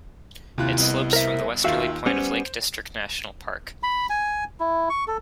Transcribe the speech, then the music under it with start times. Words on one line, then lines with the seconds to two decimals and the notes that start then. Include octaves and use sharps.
It slopes from the westerly point of the Lake District National Park.
0.58 D#2 C3 E4 F4 F#6
0.78 C2 B3 D#5
1.13 A#4 C5 E5
1.64 D#2 D#3 F4 F#4 E5 F5 E6
2.06 G3 B3 C#4 C5
3.83 B5
4.10 G#5
4.60 E4
4.90 C#6
5.08 A4